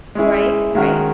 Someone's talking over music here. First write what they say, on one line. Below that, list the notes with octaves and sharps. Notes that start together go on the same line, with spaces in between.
Right, right.
G#3 C#4 E4 G#4
D#3 G#3 C#4 F#4 A#4